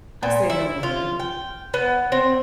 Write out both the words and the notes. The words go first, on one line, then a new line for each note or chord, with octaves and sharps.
I said, "No, ma'am."
A#2
E4
F4
G5
B3
C4